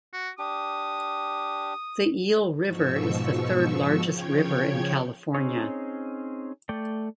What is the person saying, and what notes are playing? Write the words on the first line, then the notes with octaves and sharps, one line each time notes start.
The Eel River is the third largest river in California.
F#4
D4 G4 D#6
G#2 B2 F3 C#6 E6
C#3 F3 C#5 G5 G#6
C4 C#4 D#4 G#4 C#5
A3 D5 G5